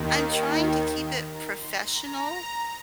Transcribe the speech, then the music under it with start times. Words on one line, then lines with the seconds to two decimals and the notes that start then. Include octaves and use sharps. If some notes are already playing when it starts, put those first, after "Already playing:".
I'm trying to keep it professional,
Already playing: D#2 D#3
1.24 A#5
1.55 C6
1.85 A#5